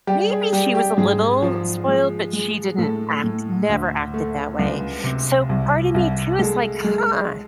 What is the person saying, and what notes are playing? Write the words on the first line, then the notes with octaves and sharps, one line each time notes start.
maybe she was a little spoiled, but she didn't act never acted that way. So part of me too is like, "Huh,
G3 G4
G#4
G3 G4
G4
G#2 G#4
F3
G#3
G#3
A2 A4
A2
D2
A3
C#2
C3
C2
C2
G#3 A4
G#3